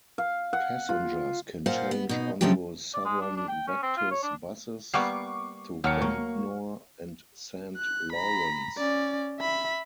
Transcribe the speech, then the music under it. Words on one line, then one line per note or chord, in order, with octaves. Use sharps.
Passengers can change onto Southern Vectis buses to Ventnor and Saint Lawrence.
F5
F#5
F4
A#2 C5 F5 F#5
B3
B2 D#4
C#3 F3 F#3 A3 D4 G4
D5
G#3
D4
D4
G5
C#4
C4
F4
C#5
D4
G3 A#3 B3 C#6 D6 C7
D#2 F#3 F6 C#7
A#3 C#6
F#6
A#5 B5
C#4 D5
E5 B5